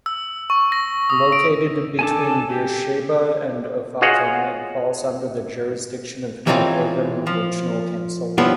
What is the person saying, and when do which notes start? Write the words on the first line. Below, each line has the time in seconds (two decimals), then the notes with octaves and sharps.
Located between Beersheba and Ofakim, it falls under the jurisdiction of Merhavim Regional Council.
0.06 E6
0.50 C#6
0.72 A#6
1.10 D#6
1.32 D7
1.99 D4 A4 G#5 A5 D6
2.50 G4
4.01 F4 F#4 G#4 C#5 D#5 F#5
6.47 E3 F#3 G#3 C4 F4
7.27 F3
8.38 G2 F3 F#3 B3 E4 F4